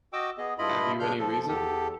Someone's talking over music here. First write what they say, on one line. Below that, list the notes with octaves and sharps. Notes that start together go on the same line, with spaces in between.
Have you any reason?
F#4 D#5 G5 D6 E6
B3 G#4 D#5
G2 E4 F4 D#5 B5
G2 C#3 D4 F6 G6
F3 A4
E2 G4 A4